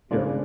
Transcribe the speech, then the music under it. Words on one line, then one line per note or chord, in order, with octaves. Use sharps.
you know?
C#3 G#3 B3 D4